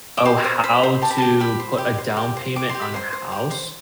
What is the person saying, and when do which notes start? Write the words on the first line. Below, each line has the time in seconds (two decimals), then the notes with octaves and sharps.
oh, "How to put a down payment on a house?"
0.17 D6
0.25 G4 C6
0.44 C5
0.64 C5 B5
0.83 C5
1.02 G4 A5
1.11 B5
1.18 G4 A5
1.40 G4 B5
1.60 C5
1.78 G4
1.98 C5
2.17 G4
2.37 C5
2.56 G4 D6
2.69 C6
2.74 G4
2.82 B5
2.94 C5 C6
3.13 C5
3.32 G4
3.51 C5